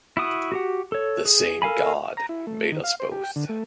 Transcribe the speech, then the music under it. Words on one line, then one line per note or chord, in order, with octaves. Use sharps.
The same god made us both.
E4 F#4 D#6
F#4 G4 F#5
A4 C#5
G#4
A4 A#4 F5 G#5 B5
A#5
E4
A3
D#3
F5
C5
G4
G5
D3
A3